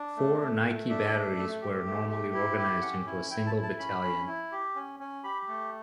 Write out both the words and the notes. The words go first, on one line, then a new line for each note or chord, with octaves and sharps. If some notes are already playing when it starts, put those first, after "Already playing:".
Four Nike batteries were normally organized into a single battalion.
Already playing: D4
A3
A3
A3
D4 E5
A3
A3
G4
A3
G4
E4
G4
C#4 F#5
E4
E4 G5
A5
E4
A5
C#4 B5
C#4
E4
G4
C#4
C#4
G4 B5
A3